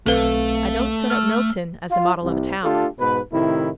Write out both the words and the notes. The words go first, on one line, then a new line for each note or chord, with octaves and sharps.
'I don't set up Milton as a model of a town.'
B1 A3 C4 A4 B4 F5
E6 F6
F4
C2
A3 D4 F4 G4 A4
G#2 B2 B4
A2 C3 D#3 E4